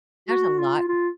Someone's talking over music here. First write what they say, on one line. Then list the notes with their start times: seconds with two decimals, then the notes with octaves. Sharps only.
There's a lot
0.29 F#4
0.58 F4
0.89 F4